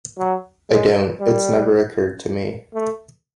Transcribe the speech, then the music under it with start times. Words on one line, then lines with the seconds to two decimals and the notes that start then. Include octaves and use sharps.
I don't, it's never occurred to me.
0.18 F#3
0.69 G#3
1.20 G3
2.74 A3